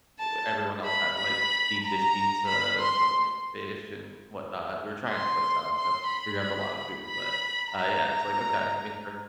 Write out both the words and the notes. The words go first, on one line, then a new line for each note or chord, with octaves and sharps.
e everyone else had like deep dish pizza, some like fish and whatnot we were trying the place out, so we grabbed a lotta food, but uh yeah, it's, like, "Okay, make sure."
A5
B5
B5
A#5
B5
C6
C6
C6
B5
B5
A#5